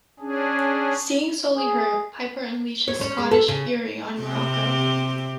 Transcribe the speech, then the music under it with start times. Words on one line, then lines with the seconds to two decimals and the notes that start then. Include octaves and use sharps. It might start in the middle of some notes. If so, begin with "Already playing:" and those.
Seeing Solie hurt, Piper unleashed his Scottish fury on Muraco.
0.20 C#4 D4 G#4
1.57 G#4
2.88 C#5
3.01 C#4
3.18 G#3
3.31 A4
3.48 C#3
4.21 C3 C4 G4